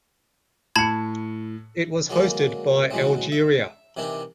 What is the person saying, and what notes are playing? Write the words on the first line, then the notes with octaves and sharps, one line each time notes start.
It was hosted by Algeria.
A2 A5 B5 G#6 C#7
D3 F#3 G#3 A#3
B2 E3 F#3 G#3 A3 C4
E5
C3 D#3 E3 D4 E4 G4